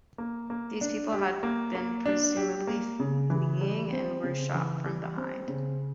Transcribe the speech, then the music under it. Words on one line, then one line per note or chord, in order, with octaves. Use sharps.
These people had been presumably fleeing and were shot from behind.
A#3
A#3
D4
G4
A#3
A#3
D4
G4
A#3
C#3
E3
G3
C4
C#3
E3
G3
C4
C#3